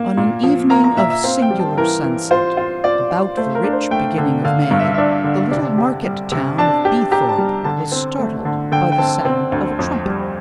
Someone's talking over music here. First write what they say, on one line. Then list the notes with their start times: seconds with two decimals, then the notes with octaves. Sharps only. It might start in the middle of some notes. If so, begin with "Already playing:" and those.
On an evening of singular sunset, about the rich beginning of May, the little market-town of Beethorpe was startled by the sound of a trumpet.
Already playing: A#3
0.17 A#2
0.43 F3
0.70 A#3 A#5
0.84 A#5
0.97 A#2 E5
1.10 E5
1.23 C4 F5
1.42 G5
1.50 G3
1.60 A5
1.77 E3 A#4
2.04 E3
2.31 F4 C5
2.57 F4
2.84 F4 D5
3.11 F4
3.37 A3 C5
3.55 A#4
3.64 D4
3.73 C5
3.91 A3 G5
4.18 D3
4.44 D3 F5
4.62 F5
4.71 G2
4.80 E5
4.94 E5
4.98 D4 D5
5.24 D3
5.51 C3 D5
5.78 G4
6.05 G3
6.32 C3
6.58 D4 A5
6.85 G4
7.11 G4 A#5
7.29 A5
7.38 G3
7.64 D3 A5
7.92 C4
8.19 A3
8.45 D3
8.72 D3 G5
8.92 G5
8.98 C4 A5
9.25 C4
9.52 D2
9.79 F2
10.05 G3